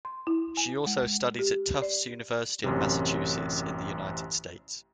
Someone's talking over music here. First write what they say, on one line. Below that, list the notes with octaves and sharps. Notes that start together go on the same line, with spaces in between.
She also studied at Tufts University in Massachusetts in the United States.
C6
E4
G#5
G#3
G4
D5
A1 F#2 C3